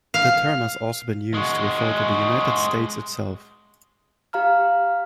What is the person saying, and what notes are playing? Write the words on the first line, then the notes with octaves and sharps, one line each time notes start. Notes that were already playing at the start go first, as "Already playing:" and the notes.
The term has also been used to refer to the United States itself.
F5
G#3 F#4
G4 F5 A#5 F6